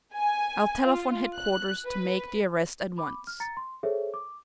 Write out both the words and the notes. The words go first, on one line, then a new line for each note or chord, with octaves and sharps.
"I'll telephone headquarters to make the arrest at once."
G#5
F4
F#6
B4
B5 D6
F6
A#5 A6 C#7
C6
G#4 A4 C5 C#5 E5
D6